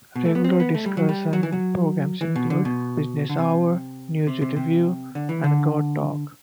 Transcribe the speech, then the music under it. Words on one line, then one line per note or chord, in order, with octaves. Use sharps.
Regular discussion programs include "Business Hour", "News With a View" and "God Talk".
B2
A3
B3
C4
B3
A3
G3
F#3
G3
F#3
E3
F#3
E3
B2
D3
B2
D3
C3
C3
C3
C3
D3
E3
D3